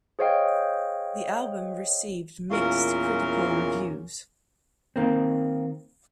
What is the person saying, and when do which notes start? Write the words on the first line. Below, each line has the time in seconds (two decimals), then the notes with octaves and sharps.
The album received mixed critical reviews.
0.19 G#4 C5 C#5 D#5 F5 G5
2.50 E2 A#2 C#4 F4 A#4
4.96 D#3 A#3 C4